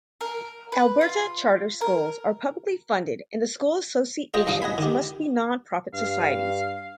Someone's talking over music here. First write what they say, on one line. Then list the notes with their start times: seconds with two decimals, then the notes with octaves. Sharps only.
Alberta charter schools are publicly funded and the school associations must be non-profit societies.
0.21 A#4
0.72 B4
1.01 F4
1.81 A#4
4.34 F4 G#4 D#5 G5 A#5
4.47 G2 E3 F5 D#6
4.62 D#5 F#5 G#5 B5
4.78 D#3 G4
5.93 G2 F5